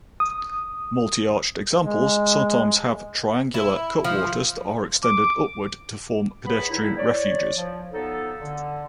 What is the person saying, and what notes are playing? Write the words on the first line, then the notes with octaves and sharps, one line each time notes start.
Multi-arched examples sometimes have triangular cutwaters that are extended upwards to form pedestrian refuges.
D#6
G#3
E4
F3
D6
E2 B3 C#5 B5
E2 G2 D#3 D#4 E4
C#5 D5
F3
F3 F#3 B3 D#4 A4
D3